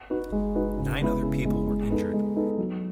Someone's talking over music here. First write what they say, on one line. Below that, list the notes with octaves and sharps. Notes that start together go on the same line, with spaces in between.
Nine other people were injured.
D#4 F#4 B4
G#3
D#4 F#4 B4
C#3
G#3 B3 E4
C#3
G#3 B3 E4
G#3
B3 D#4 A4
G#3
B3 D#4 A4
F#3